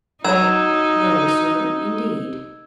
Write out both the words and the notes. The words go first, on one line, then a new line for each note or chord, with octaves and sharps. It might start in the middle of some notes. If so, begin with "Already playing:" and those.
"No, sir,--indeed."
F#3 D#4 C#5 E6 G#6 E7